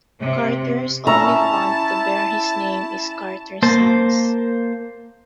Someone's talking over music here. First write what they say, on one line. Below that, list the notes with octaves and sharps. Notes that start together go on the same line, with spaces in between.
Carter's only font to bear his name is Carter Sans.
C3
C#4 E4 C#5 E5 A5 A#5
A#3 C5 A5